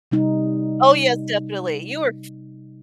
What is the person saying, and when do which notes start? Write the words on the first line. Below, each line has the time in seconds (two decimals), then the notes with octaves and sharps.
Oh, yes, definitely. You are f
0.12 C3 G3 D#4